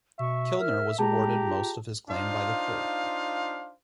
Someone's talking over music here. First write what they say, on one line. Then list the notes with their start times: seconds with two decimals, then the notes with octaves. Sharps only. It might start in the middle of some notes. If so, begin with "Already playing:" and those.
Kilner was awarded most of his claim by the Court.
0.19 B2 E5 C#6
0.60 A#4 F6
0.98 G#3 G4 G#4 A5 A#5
1.47 F4
2.09 D4 D#4 F4 C5 F5